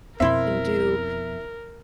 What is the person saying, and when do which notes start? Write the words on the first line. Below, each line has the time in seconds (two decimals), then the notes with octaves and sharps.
can do
0.20 F2 B2 C4 E4 A#4 E5 C6